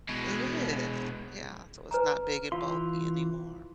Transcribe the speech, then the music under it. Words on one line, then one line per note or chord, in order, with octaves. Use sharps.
It is. Yeah so, it's not big and bulky anymore.
B2 G#3
B4 G#5 A#5
E3 F4 F5 C6